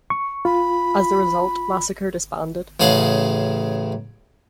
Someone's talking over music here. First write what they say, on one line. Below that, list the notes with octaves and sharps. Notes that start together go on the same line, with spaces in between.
As the result, Massacre disbanded.
C#6
F4 B5
A1 C#3 G#4 F5 F#5